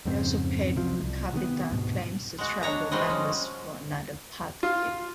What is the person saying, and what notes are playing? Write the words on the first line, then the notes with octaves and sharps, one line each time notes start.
They also paid per capita claims to tribal members for another part of it.
F2 G#2 C#3 C4
C2 C3 F3 F#3
C2
C3 D#3 F#3 B3
D2 G#2 B2
G#3 F#4
D4 C#5 A#5
F3 G3 G#3 F#4 D#5
C#4
F4